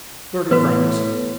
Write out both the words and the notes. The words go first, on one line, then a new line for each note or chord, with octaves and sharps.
"Thirty francs."
A2 E3 B3 F#4 B4